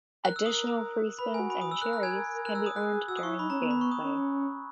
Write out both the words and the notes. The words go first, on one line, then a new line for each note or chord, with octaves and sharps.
Additional Free Spins and cherries can be earned during gameplay.
A#4 F#6
E6
A#4 D#6
B4 B5
A#4
G#5
F#4
B5
D#6
E6
A#4 F#6
F#6
G#5 G#6
A#4
A#4
A#4 F#6
E6
D#6
G#4 F#6
F#4 E6
D#6
E4 C#6
D#4 B5
C#4 A#5
B3
B5
C#6
D#6
C#4